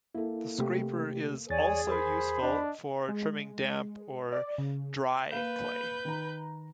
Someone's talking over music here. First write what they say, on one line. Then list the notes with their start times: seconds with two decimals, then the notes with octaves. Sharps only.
The scraper is also useful for trimming damp or dry clay.
0.15 A#3 E4 A4
0.58 C3 A3 G4
1.50 E2 G#4 C#5 D5 G#5 A6
1.87 A#4 C5 G#5 B5
2.42 D4 D#5
3.09 G#3
4.32 D5
4.58 C#3
5.30 A#3 B4 F5 G6 E7
6.05 D#3 A#5